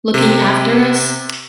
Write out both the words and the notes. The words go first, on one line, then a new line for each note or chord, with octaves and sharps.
Looking after us.
C3